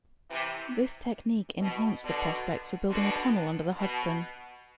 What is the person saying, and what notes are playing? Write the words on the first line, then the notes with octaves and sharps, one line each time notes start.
This technique enhanced the prospects for building a tunnel under the Hudson.
C3 E3
B2
B2 D3
B2 D3
B2